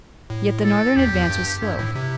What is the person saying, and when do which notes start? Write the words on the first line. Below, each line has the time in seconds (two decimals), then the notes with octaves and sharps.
Yet the Northern advance was slow.
0.30 A2
0.64 A4
0.96 E2 G4
1.13 E2
1.29 G2
1.62 G2 E4
1.79 A2
1.95 C3